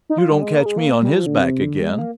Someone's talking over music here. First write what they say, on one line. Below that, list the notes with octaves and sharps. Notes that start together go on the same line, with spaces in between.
You don't catch me on his back again.
D#4
F4
G3
G#3
A#3
G#3
A#3
G3
F3
D3
C3
D3
G3
G#3
A#3